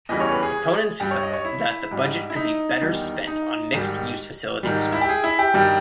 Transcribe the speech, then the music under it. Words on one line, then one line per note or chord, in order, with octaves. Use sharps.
Opponents felt that the budget could be better spent on mixed-use facilities.
E2 C#3 E3 G3 D#5
C#5
B4
G#4
G2 G3 G4
C#5
D#5
C#5
E4
G#2 G3
E4
D#4
E2 D#3 G3
D#4
G#2 D#3 G3
G#2 D#3 G3
E4
G4
G#4
E4
G4
G2 D#3 G3